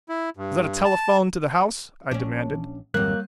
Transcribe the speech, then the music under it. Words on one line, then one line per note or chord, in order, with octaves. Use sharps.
"Is that a telephone to the house?" I demanded.
E4
G2
A5
A#1 C#4 D4
G#1 F2 F#3 G3 A#3 G4 F#6 G6